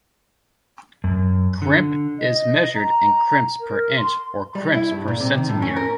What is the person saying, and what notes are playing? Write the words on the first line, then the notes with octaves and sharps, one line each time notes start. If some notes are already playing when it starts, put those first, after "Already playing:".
Crimp is measured in crimps per inch or crimps per centimetre.
F#2
D3
D#5
A#5
A#4
C6
G3
E4
G2
A#2
C3
D#3
A2
C#4
A#4